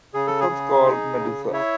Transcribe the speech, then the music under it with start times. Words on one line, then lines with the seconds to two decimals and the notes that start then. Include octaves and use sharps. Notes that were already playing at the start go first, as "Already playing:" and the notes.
It was called Medusa.
0.14 C#3 G#4
0.27 A4
0.40 G#4
0.49 C#3
0.84 D#4
1.18 C#3
1.53 E4 C#5 E5